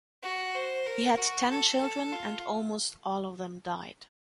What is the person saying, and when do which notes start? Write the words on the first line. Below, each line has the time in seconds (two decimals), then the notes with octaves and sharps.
He had ten children and almost all of them died.
0.23 F#4
0.55 C5
0.86 A#4
1.18 F#4
1.50 A4
1.82 A4
2.12 F4